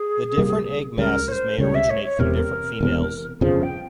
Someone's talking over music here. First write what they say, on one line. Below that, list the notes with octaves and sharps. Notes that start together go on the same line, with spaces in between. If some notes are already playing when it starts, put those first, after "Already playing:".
The different egg masses may originate from different females.
Already playing: G#4
C2 C3 G3 A#3
C#2 C#3 G3 A#4
C#5
C5
C#2 C#3 G3 C#5
E5
C#5
C#5
E1 E2 C3 A#4
E1 E2 C3
G1 F2 C#3 F3 G#4
G5